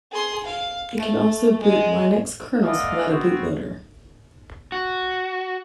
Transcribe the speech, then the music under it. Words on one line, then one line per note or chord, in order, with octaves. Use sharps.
It can also boot Linux kernels without a bootloader.
G#4 C6
F5
A3
G#3
A3 B3 D5 D#5 F5 F#5
B3 C4 F#4
F#4